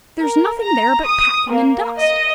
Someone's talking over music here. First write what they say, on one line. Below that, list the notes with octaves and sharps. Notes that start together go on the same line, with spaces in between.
There's nothing there but packing and dust.'
A#4
A#5
D#6
A#3
D#5